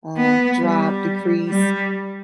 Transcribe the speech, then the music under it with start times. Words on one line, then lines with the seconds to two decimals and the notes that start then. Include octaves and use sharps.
uh, drop, decrease.
0.17 B3
0.61 G3
1.49 G3